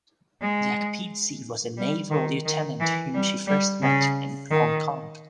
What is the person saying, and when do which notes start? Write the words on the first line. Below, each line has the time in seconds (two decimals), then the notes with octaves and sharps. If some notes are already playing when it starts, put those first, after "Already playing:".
Jack Pizzey was a naval lieutenant whom she first met in Hong Kong.
0.41 G#3
1.77 G3
2.11 D#3
2.45 D#3
2.80 E3
3.14 G3
3.47 G3
3.82 C#3
4.50 D#3